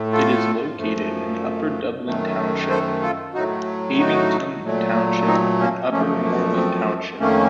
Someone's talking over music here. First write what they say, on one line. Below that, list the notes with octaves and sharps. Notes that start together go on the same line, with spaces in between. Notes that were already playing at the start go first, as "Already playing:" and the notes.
It is located in Upper Dublin Township, Abington Township and Upper Moreland Township.
Already playing: A2 A3
F4 A4
F#2 F3 A3
F#2 D#3 A3
A4 C5
F4 A4
A2 F#3 A3 D#4 F#4
D#4 F#4
A#2 F#3 A3
C4 D#4
A#3 C#4
F#2 F3 A3 A#3 C#4
A#3
C4
F2 D#3 A3 A#3 C#4